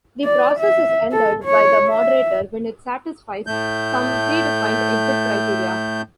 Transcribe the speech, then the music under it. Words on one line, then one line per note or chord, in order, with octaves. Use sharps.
The process is ended by the moderator when it satisfies some predefined exit criteria.
D5
E5
A4
C#5
E5
A2 A3 G6